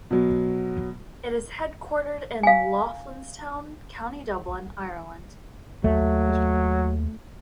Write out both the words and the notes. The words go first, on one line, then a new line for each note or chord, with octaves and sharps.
It is headquartered in Loughlinstown, County Dublin, Ireland.
B2 F#3
F5 G#5
D#2 F#3 A3